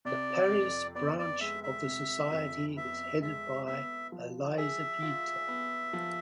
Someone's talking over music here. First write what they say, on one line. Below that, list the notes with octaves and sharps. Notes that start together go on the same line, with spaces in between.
The Paris branch of the Society is headed by Eliza Pieter.
C3 D5
F2
B3 D5
D5
G#3 E5
E5
C3
F2
B3 E5
G#3 E5
B3 E5
F3
G#4 E5
F4
B3
F3